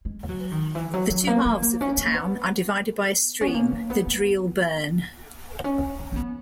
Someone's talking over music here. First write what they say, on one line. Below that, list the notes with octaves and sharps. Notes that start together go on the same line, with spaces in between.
The two halves of the town are divided by a stream, the Dreel Burn.
G#3
F#3
D#3
E3
F#3
F#3
A#3
B3
A#3
C#4
B3
A#3
B3
C#4
B3
A#3
A#3
B3
B3
C#4
C#4
C#4
B3